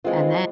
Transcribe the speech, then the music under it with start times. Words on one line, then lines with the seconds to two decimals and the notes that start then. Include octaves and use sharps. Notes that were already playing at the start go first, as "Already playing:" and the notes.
and then
0.04 E3 G#3 C4 F4